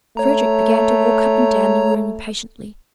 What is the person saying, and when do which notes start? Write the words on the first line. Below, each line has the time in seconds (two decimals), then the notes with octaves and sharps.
Frederick began to walk up and down the room impatiently.
0.17 A3 C#5 A#5